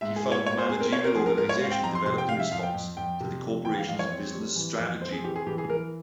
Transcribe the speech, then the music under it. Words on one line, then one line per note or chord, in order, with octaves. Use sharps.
He found that managerial organization developed in response to the corporation's business strategy.
G#2 E5
G#4
E4
C#5
G#2 C#5
C5
C4 G#4
A#4
C4 C#5
A#4
F3 G#4
A#4
G#2 A#4
C#5
C4 F5
G5
F2 A#5
C6
C3 C6
G5
F2 F5
E5
F2 F5
G5
F2
F2 G5
C3
F2
E3 G5
F5
F2 F5
C#5
C4
G3
E3
F2
C4 C5
G#4
E3 G4
G#4
E3 G4
G#4
E3 A#4